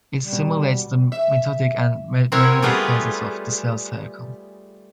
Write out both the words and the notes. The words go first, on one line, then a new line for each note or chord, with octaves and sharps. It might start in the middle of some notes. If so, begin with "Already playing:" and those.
It stimulates the mitotic and meiotic phases of the cell cycle.
G3
B2
E5
C4 E4 A#4 C#5 F#5
G3 A3 B3 F4 G4 G#4